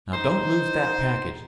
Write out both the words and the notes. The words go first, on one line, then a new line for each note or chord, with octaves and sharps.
Now don't lose that package.
D#4 C5